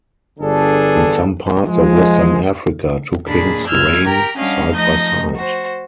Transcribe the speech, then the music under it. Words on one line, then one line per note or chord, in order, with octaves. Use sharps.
In some parts of western Africa two kings reign side by side.
G1 D3 B3 D4 G#4 A4
F3 G#3
D#2 A#2 D4 G#4 B5
F#2 E6 F6 G6 G#6
G4 A#4 G5 A#5
G3 C#4 D4 D#5 F5 F#5
F3 A3 D#4 D#5 G6 A#6
F#4 C5